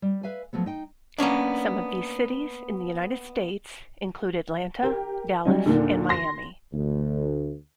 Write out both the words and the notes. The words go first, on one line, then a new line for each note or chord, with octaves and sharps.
Some of these cities in the United States, include Atlanta, Dallas, and Miami.
G3
B4 E5 F5 G#5
F3 F#3 A3 B3
D#4 G5
A#3 B3 C#4 D4
G4 A#4
F#3 G3 C#4 D#4
D#2 A#2 D3
C6 A#6
D2